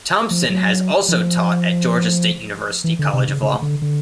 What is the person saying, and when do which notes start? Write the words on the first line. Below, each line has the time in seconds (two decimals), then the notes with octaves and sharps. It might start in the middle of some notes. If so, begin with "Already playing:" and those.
Thompson has also taught at Georgia State University College of Law.
0.31 F3
0.50 F#3
1.09 F3
2.84 E3
2.99 D3
3.13 C3
3.28 C#3
3.42 C#3
3.62 D3
3.82 D3